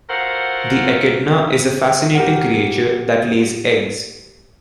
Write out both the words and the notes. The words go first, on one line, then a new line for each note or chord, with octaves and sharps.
The echidna is a fascinating creature that lays eggs.
F4 F#4 A4 A#4 C5 F#5
G4 A#4 F#5